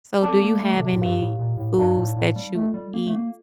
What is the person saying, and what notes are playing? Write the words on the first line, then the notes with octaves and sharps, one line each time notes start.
So, do you have any foods that you eat
C4 A4 D5 A5 D6
A#3
A3
D3
C3
A2
G2 G4 A#4 F5
A2
A#2
A2
G2 D#4 A#4 D5 F5 A5
A2
A2
G3
A3 F4 A4 D#5
G3
A#3
A3
A#3